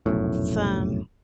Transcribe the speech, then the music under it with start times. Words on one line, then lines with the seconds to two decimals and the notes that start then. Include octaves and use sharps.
it's, um
0.06 F1 B1 F#2 A2